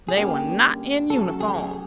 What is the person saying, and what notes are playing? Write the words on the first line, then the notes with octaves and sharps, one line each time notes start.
They were not in uniform.
G#4
D3 G3 A#3 C#4 G4
F#3 A3 C#4 F#4 A4
G#4
G4
G#4